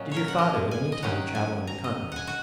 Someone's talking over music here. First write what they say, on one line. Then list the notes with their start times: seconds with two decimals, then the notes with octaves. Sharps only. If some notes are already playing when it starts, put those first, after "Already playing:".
"Did your father, at any time, travel on the continent?"
Already playing: A#2 F#3 C#4 D#5
0.11 A#4 C#5
0.28 F#5
0.38 D#5
0.71 G#5
0.92 D#5
1.02 D#3 F#3 C#4 F#5
1.35 G#5
1.67 A#5
1.84 D#5
2.12 F#5 G#5
2.27 F#4